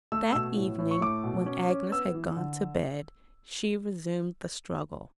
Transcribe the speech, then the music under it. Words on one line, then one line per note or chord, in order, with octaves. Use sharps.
That evening, when Agnes had gone to bed, she resumed the struggle.
A3 E6
B2 E6
A2
A2
C#6
A3 D6
B2
C#4
C#4
B3 E6
E3
D3